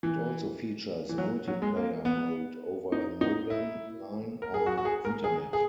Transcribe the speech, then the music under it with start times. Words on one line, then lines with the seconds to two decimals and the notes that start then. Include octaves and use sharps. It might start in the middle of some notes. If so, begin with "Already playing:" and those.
It also features multiplayer mode over a modem line or Internet.
0.03 E3
1.09 E3
1.18 F#3
1.48 F#3
1.62 G#3
1.76 A#3
2.05 B3
2.92 D#4
3.21 D#4
3.50 E4
4.42 A#4
4.54 G#4
4.66 F#4
4.78 F#4
4.85 G#4
5.05 A#4
5.24 G#4
5.53 G#4